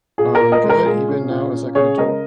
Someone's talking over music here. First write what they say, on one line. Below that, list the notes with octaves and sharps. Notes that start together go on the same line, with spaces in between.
um, good even now as, like, an adult."
A#2 G#4
A#4
A#2
A#4 D#5
G#3
A#4
A#2 G#4
C#4
A#2
C#4
C#3 G#4 C#5
G#3 A#4 D#5